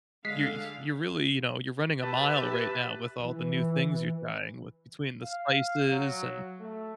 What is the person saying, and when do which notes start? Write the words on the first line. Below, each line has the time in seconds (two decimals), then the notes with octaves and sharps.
"You're you're really, you know, you're running a mile right now with all the new things you're trying with" between the spices, and,
0.25 D3 G#3 F5 B6 C7
2.02 G4 B4 E5 A5
3.20 E3
5.25 F5
5.91 F#3
6.60 A3